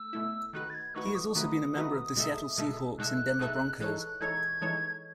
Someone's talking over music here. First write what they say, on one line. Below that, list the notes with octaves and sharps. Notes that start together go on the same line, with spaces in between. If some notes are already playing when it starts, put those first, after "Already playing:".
He has also been a member of the Seattle Seahawks and Denver Broncos.
Already playing: A3 E6
B2 A3 E4
D#3 A3 D#4 F#4 B4 F#6
A6
G#6
D#3 A3 D#4 F#4 B4 C#6
D#6
C#6
D#3 A3 D#4 F#4 B4 D#6
D#3 A3 D#4 F#4 B4
B2 G#3 D#4 A4 E5
B2 G#3 D#4 A4 E5
B2 G#3 D#4 A4 E5 F#6
B2 G#3 D#4 A4 E5
E3 G#3 D#4 A4 C#5 F#6
F#6
E3 G#3 D#4 A4 C#5 G#6
E3 G#3 D#4 A4 C#5